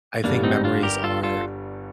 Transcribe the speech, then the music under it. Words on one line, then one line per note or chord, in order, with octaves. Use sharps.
I think memories are
G1 G2 D3 G3 A#3 D4
C4 D#4
D#4
D4 F4
G4 A#4
F4 A4
F4 A4